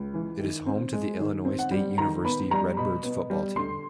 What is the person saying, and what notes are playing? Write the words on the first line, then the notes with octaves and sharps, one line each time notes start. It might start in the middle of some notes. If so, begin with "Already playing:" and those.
It is home to the Illinois State University Redbirds football team.
Already playing: C#2
E3
D#3
C4
G#3
D#3
C4
F#5
G3
D#3 A#5
B3 B5
G3 A#5
B2 B5
B3
G3
D3 C6